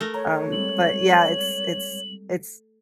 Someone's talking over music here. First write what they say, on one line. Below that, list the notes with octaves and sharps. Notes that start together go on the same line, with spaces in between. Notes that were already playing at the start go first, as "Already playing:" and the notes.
um, but yeah, it's it's it's
A3 A#4
C#5 A#5
G3 G#3 C4 F#7